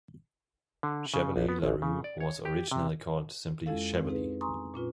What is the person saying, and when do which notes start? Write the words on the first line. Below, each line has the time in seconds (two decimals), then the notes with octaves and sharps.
Chevilly-Larue was originally called simply Chevilly.
0.83 D3
1.14 C#3
1.36 A#1
1.49 B3
1.63 A1
1.82 C#3
2.04 D5
2.20 C#5
2.45 G4
2.71 C3
3.66 F2 G#3 C#4 E4 A4 F5
3.93 C4
4.08 C4 D#4 G#4 B4
4.41 G#5 A#5 C6 C#6 D#6
4.74 A#2 C#4 F4 B4